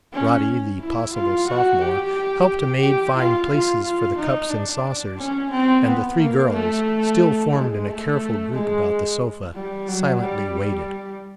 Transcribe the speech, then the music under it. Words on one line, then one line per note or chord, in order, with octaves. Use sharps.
Roddy, the possible sophomore, helped a maid find places for the cups and saucers; and the three girls, still formed in a careful group about the sofa, silently waited.
C#4
E4
F4
F#4
G4
G4
F4
F4
F4
D#4
D4
C#4
C4
B3
A#3
A3
G#3
A3
G#3
G3
F#3
G3